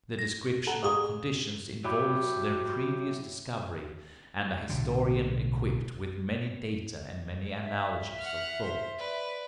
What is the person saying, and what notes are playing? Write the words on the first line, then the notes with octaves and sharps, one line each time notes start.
The description of conditions involves their previous discovery and a historian equipped with many data and many analogies of thought.
A#6
A4 F#5 A#5
G#4 D#6
F#3 E4 G4
B1 A2 D3
E5
F#5 F6
C5
B4 D5